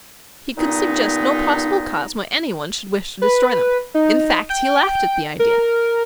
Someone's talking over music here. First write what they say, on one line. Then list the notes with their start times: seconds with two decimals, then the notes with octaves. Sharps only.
He could suggest no possible cause why anyone should wish to destroy them--in fact, he laughed at the idea.
0.57 G2 A#2 B3 D#4
3.22 B4
3.94 D#4
4.50 G5
5.39 A#4